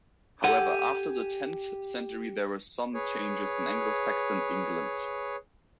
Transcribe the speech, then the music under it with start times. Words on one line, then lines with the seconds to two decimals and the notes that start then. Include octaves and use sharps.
However, after the tenth century there were some changes in Anglo-Saxon England.
0.44 G4 A4 F#5 G#5
2.94 G#4 B4 C#5